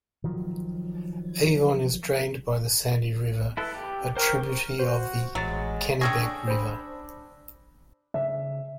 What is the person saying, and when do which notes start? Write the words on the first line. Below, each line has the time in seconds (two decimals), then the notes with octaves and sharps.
Avon is drained by the Sandy River, a tributary of the Kennebec River.
0.24 D#3 F3 F#3
3.57 E4 A4 B4
3.74 G4
4.17 A#4 C5 G5 C#6
4.79 F#4 C5
5.35 A1 F#3 G#3 A6
6.01 D3 C#4 D4 G#4 G5 C#6 E6 A#6
6.48 D4 C5 B5
8.14 C#3 E5